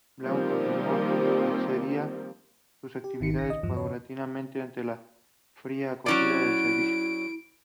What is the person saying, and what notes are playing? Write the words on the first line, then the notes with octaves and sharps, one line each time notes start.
Australian timber is used throughout the building.
D#3 F3 G3 A#3 C4 G4
G4
G#1 D#3 C#7
B1 A#6
D#5
E2 G2 F3
C#3 C#5
F#3 C#4 E4 D5 D7